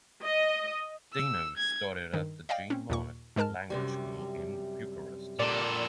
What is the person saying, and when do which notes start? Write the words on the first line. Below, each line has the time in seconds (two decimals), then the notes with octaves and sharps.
Dinu studied at the Jean Monnet language school in Bucharest.
0.23 D#5
1.13 E6
1.57 G#6
2.13 G2 D#3
2.49 D5 D#5 F5 G5
2.70 C4 C#4
2.90 D#2 A#2 C#6
3.36 G#2 G#3 A#4 A5 F6
3.70 F#2 C3 G3
5.39 A#2 A4 D5